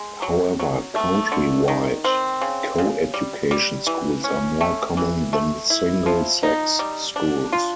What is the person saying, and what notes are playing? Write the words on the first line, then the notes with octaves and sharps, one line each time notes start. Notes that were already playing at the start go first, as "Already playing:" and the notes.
However country-wide, co-education schools are more common than single-sex schools.
Already playing: G#3
F#3
F#3
A3
D3
D#3
C4
C#3
C#3
G3
G3
E3
C#4
A3
E3
A3
E4
F3
D#4
G3
D4
F4